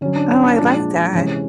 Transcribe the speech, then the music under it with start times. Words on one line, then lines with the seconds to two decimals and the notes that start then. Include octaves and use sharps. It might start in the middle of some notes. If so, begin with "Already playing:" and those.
Oh, I like that.
0.01 D3 F#3 C#4
0.16 D4
0.30 C#4
0.44 D4
0.58 A#2 F3 G#3 D4
1.15 C3 E3 G#3 C#4